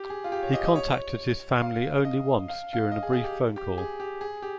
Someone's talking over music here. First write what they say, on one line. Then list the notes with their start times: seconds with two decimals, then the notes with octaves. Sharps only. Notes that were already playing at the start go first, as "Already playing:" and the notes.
He contacted his family only once during a brief phone call.
Already playing: G4
0.10 G#4
0.24 F4
0.32 G4
0.43 C#5
0.53 D#5
0.64 D#5
0.75 C#5
1.62 F5
2.05 D#5
2.48 F5
2.73 F5
2.92 D#5
3.03 G#4
3.13 G#4
3.24 G4
3.56 G4
3.78 G#4
4.00 G4
4.21 G#4
4.42 G4